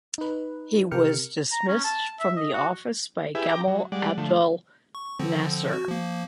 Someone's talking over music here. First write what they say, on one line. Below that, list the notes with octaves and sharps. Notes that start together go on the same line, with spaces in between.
He was dismissed from the office by Gamal Abdel Nasser.
D#4 B4
C3 G4 A#4 G5 F6 C#7
A#5
C#4
A5
E5
D#5
F#4
E4 G4 G#4 B4 E5
G5 A#5 D6
F#3
G3 G#3 D5 F#5
D3 F3 A3
C#6
D3 F3 C4
F#4
F3 A#3